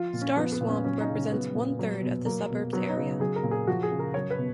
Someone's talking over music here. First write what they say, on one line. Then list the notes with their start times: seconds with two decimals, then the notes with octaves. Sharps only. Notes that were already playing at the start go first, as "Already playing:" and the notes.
Star Swamp represents one-third of the suburb's area.
Already playing: F3 F4
0.13 A#2
0.21 C#4
0.37 F3 B3
0.53 B3
0.61 A#2
0.69 C#4
0.84 F#3 C#4
1.00 D#4
1.08 C#3
1.15 C#4
1.32 F#3 B3
1.55 A#2
1.79 F#3
2.02 B2
2.26 F#3 A#3
2.50 B2
2.73 F#3 B3
2.89 D#4
2.97 C#3
3.20 F#3 G#4
3.36 A#4
3.43 A#2
3.51 G#4
3.67 F3 F#4
3.83 G#4
3.91 C#3
3.99 A#4
4.14 F#3 C#5
4.30 B4
4.38 B2